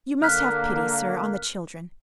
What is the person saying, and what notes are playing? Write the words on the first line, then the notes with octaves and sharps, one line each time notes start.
You must have pity, sir, on the children.
D3 A#3 F6 F#6 B6